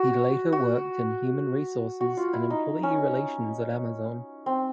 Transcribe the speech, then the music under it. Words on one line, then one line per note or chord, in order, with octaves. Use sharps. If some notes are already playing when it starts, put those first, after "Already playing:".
He later worked in human resources and employee relations at Amazon.
Already playing: F#4
F#4
F#4
F4
E4
D#4
C#4
C4